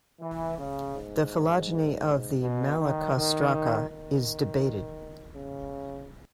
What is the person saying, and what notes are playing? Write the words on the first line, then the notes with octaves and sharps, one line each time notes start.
The phylogeny of the Malacostraca is debated.
E3
C#3
G#2
B2
D#3
D#3
D#3
C#3